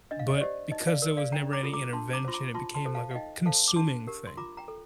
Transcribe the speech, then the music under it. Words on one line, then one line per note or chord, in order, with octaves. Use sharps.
but because there was never any intervention, it became like a consuming thing.
D4 D#5
F5
D#5
D5
G4 C5 D#5
D#4 D#5
D5 F5
A#4
D5 F5
D4 G5 A#5
A#5 D6
F4 A4
A#5 D6
D4 A5 C6
A#5 D6
F4 C5 C6
A#5 D6
F4 A5 C6
A5 C6
A4 C5
F5 A5
F5
D#4 D#5 G5
A4 C5 F5 A5
D6
D4 A5 C6
G4 A#4
C6
F4 A#5 D6
G5 A#5
A4